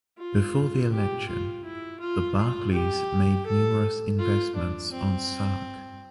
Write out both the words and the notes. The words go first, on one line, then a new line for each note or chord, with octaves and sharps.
Before the election, the Barclays made numerous investments on Sark.
F4
G4
F4
E4
F4
F4
G4
A4
F4
D4
C4